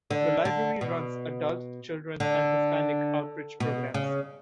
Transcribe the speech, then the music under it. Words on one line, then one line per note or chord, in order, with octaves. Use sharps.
The library runs Adult, Children's, and Hispanic Outreach programs.
D3
D3
B2
D3
B2
C#3